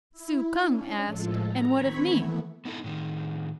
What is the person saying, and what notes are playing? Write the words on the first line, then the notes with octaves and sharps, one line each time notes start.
Tzu-kung asked, And what of me?
E4
C#4 D4
A2 F3 G#3 A4
A#5
D#3 C4 B5 C#6 G#6 B6
E3 A3 B3
B3 D#4 E4 A4
A2 D#3